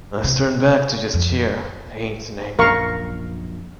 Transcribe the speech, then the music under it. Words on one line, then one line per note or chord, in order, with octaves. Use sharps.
It's turned back to just sheer hate and anger.
C3
F2
A#1 F#2 A#2 A#4 F5 C#6